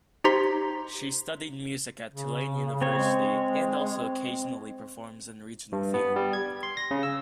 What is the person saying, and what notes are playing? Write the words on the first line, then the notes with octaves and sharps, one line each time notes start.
She studied music at Tulane University and also occasionally performs in regional theatre.
D#4 G4 C5 A#5 C6 B6
C#3
C4 C#5
G#3
G2
B3
G3
G#6
C6
A#6
C#3
E6